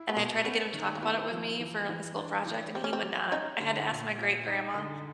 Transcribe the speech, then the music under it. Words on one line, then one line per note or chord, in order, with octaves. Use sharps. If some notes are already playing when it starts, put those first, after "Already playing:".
and I tried to get him to talk about it with me for, like a school project, and he would not. I had to ask my great-grandma,
Already playing: E4
B3
B2 A#3
B3 C#4
D#3
A#3
B3 E4
F3
E3
E3
D4
E3
C4 G4
C#4
C4
F#3
C#4 D#4
D3
A#2
A#2
D#4
D3